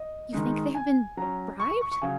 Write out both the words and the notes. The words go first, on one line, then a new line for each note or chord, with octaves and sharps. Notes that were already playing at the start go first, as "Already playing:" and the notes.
"You think they have been, bribed?"
Already playing: D#5
D#3 G#3 D#4
G#5
F#3 C#4 A#5
C#6
C#6
C#6
C#6
C#3 F#3 G#5